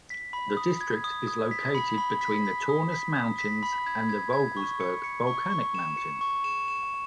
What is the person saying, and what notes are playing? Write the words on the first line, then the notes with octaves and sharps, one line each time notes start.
The district is located between the Taunus mountains and the Vogelsberg volcanic mountain.
B6
B5
D#6
G#6
D#6
D#6
B6
B5
B5
B6
B6
D#6
B6
D#6
B6
B5
G#6
G#6
G#6
C#6
C#7
C#7
C#6
C#6
E7
C#7
C#6
E7
E7